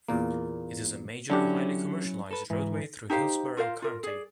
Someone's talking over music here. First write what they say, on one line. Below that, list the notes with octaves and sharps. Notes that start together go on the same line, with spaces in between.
It is a major, highly commercialized roadway through Hillsborough County.
E2 A#2 A#3
D3 F#3 C#4 D4 E4 G4
A4 B4
G#2 E3
D#4 G4 C5 F5
F4 A#4 C5 F5
F4 A#4
G#4 D5